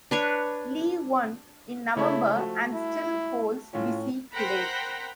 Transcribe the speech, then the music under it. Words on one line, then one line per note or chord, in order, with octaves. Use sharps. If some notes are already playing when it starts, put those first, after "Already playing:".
Lee won in November and still holds the seat today.
D4 B4 C#5
C#3 A3 E4 C#5
F3 A3 F#4
E4
A2 C#4 F4
A#4 C5 F#5 G5 A#5 B5